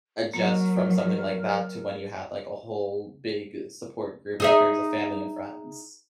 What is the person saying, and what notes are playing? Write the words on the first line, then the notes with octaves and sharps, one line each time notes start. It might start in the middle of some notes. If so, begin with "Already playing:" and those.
adjust from something like that to when you have, like, a whole big support group in terms of family and friends.
F#3 A#3 A#4
D#4 G#4 E5